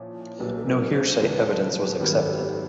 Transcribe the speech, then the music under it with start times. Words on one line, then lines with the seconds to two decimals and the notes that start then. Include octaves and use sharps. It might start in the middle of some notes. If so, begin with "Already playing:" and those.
No hearsay evidence was accepted.
Already playing: A#2 F3 C#4 E4
0.39 B1 A#2 G3 A#3 C#4 B4
0.57 A4
0.65 A#4
0.93 C5
1.19 D#2 C#3 F3 G#3 C4 B4
1.46 B4
1.73 B4
1.99 G#1 F#2 D#3 G3 B3 A#4
2.19 A4
2.40 G4